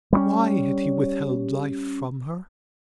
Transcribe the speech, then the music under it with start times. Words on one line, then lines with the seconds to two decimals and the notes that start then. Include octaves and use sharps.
Why had he withheld life from her?
0.13 G3 G#3 C#4